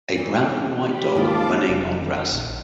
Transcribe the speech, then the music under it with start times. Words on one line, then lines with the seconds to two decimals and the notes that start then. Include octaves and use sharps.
A brown and white dog running on grass.
0.17 E3 A3 D#4
0.84 G4 B5
1.15 D#2 G#3 E4 F4 F5 A5 D6
1.69 F1
2.01 D#3
2.33 A#1